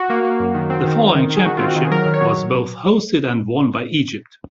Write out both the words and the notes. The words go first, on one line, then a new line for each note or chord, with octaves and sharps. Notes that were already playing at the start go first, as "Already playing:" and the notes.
The following championship was both hosted and won by Egypt.
Already playing: F#4
A#3
A#3
F#2
D#3
C4
D#3
D#3
D#3
D#3
G#4
D#3 F#4
C4 F4
F#4
D#3
G#4
F#3 A#4
D#3
C#5
F#3